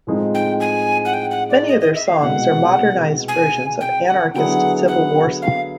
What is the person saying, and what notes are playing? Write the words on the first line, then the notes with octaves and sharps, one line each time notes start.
Many of their songs are modernized versions of anarchist civil war songs.
A2 F3 G#3 C4 D#4
G5
G#5
F#5
G5
F#5
D5
D#5
D#5
E5
F5
C2 B2 G#3 F#5
G#5
G5
F#5
D3 F#3 B3 E4 G#4 F#5 G5
F#5
F5